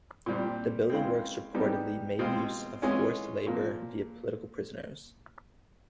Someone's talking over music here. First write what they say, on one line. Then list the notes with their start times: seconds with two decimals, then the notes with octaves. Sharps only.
The building works reportedly made use of forced labour via political prisoners.
0.26 A#2 G3 C4
0.90 C#3 E3 G#3 C4
1.54 E3 G3 B3 D#4 G4
2.19 B2 G#3 C4 F4
2.82 E3 G#3 C#4 F4 G#4
3.47 A#2 F3 A#3